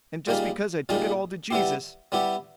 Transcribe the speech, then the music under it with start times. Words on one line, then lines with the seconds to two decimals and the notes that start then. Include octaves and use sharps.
And just because I took it all to Jesus.
0.27 A#2 G3 A#3 D#4 G#4
0.89 A#2 G3 A#3 D#4 G#4
1.51 G3 B3 E4 G4
2.12 G3 B3 E4 G4